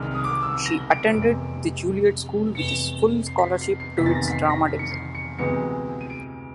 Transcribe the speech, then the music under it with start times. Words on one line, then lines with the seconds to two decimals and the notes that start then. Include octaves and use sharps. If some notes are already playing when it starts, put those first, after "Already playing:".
She attended the Juilliard School with a full scholarship to its drama division.
Already playing: C2 C3 D#3 G#3 F6
0.15 D#6
0.24 D6
0.43 E6
0.66 A#6
0.90 D7
1.14 F1 E2 C3 D7
2.55 F1 E2 C3 C#7
3.27 C7
3.39 B6
3.44 C7
3.61 C7
3.80 C7
3.97 F1 E2 C3 D#3 B6
4.06 A6
4.15 A#6
4.28 B6
4.32 C7
4.45 B6
4.50 A#6
4.68 B6
4.79 C#7
4.91 C7
5.15 C#7
5.39 D2 C3 E3 G#3 B3 C#7
6.01 D#7
6.10 D7